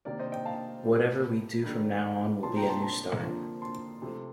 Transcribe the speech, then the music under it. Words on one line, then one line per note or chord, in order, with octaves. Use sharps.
Whatever we do from now on will be a new start.
C3 D#3 A#3 A#4 D5
C5 D#5
D#5 G5
F5 A5
A2 G3 A#3
G2 D#3 A3
F2 C3 F3 A#3 A5 C6
G5 A#5
A5 C6
A5 C6
F2 D3 F3 A#3
A5 C6
C3 F3 A3